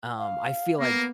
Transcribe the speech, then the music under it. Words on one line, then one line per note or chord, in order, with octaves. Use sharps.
Um, I feel like,
F5
A#3 B3